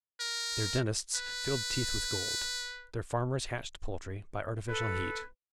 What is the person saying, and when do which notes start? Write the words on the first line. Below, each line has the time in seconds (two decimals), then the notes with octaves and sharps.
Their dentists filled teeth with gold; their farmers hatched poultry by artificial heat.
0.20 A#4
1.15 B4
4.69 A4 B4